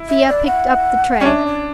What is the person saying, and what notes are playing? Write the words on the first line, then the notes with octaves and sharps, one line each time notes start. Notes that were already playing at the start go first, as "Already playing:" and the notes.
Thea picked up the tray.
Already playing: E4
E5
D5
F#5
C#4 D5
D4 E5
D5